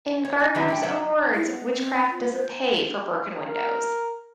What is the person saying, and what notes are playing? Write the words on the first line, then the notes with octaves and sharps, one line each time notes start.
In Gardner's own words, Witchcraft doesn't pay for broken windows!
C#5
G#5
D#3 F#3 C4 D4 G4 B4
A2 E4 G5
F#3 E5
E4
B3
C4
F4
C5
A#4